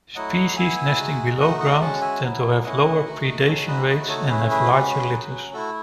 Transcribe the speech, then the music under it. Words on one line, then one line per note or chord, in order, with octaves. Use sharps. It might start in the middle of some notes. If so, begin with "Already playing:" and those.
Species nesting below ground tend to have lower predation rates and have larger litters.
F#3 A3 E4 D#5 F#5
B3 E4 E5 G#5
G#3 D#4 F#4
A3 D#4 F#4 D#5 F#5
D#5 F#5
G#3 C#4 F#4 F#5 A5
E5 G#5
F#3 B3 E4
A3 C#4 E4 D#5 F#5
A3 D#4 F#4
G#3 D#4 F#4 A4 C#5
B4 D#5
A3 D#4 F#4 B4 D#5
A4 C#5
A3 C#4 E4 G#4 B4
G#4 B4
G#3 C#4 F#4
F#3 C#4 F#4
A3 E4 F#4 A4